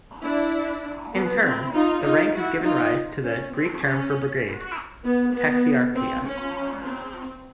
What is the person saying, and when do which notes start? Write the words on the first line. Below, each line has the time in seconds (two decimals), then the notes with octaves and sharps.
In turn, the rank has given rise to the Greek term for brigade, "taxiarchia".
0.23 D4 E4
1.14 B3
1.44 C4
1.74 D#4 F4
2.03 D#4 F4
2.34 E4 F#4
2.64 D#4 F4
3.23 C#4
3.53 C4
3.84 C#4
5.04 B3
5.34 B3
5.95 C4
6.25 C#4
6.85 C4